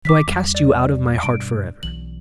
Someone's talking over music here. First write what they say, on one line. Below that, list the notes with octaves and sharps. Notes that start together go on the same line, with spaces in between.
So I cast you out of my heart for ever.
D#3 E3 D6 B6
E2 G3
D5
G2 B2 D7
B1 E3 F#7